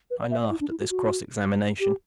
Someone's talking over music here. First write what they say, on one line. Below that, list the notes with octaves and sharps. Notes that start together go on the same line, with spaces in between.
I laughed at this cross-examination.
B4
D5
E5
D5
E4
D4
E4
F#4
F#4
G4